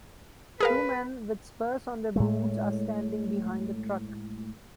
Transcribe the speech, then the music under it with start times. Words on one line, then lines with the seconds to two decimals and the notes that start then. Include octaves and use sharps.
Two men with spurs on their boots are standing behind a truck.
0.60 G#4 A#4 B4 F5
2.16 A2 G#3 A3